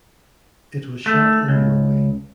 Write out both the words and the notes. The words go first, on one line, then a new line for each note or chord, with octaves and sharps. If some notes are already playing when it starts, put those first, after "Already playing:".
It was shot in Norway.
A3
C#2